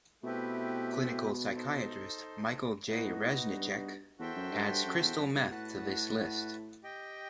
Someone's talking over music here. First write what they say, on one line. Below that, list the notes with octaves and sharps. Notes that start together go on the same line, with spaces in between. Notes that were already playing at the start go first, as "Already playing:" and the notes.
Clinical psychiatrist Michael J. Reznicek adds crystal meth to this list.
B2 A3 C4 E4 G4 B4
D#4 A4 C5
A2 B3 D#4 F#4
G2
E2 F#4 A4 C5 E5 G5
F#2
G2
G2
F#2
E2
F#2
G2
B2
A2 F#4 B4 F#5 A5
G4 D#5 G5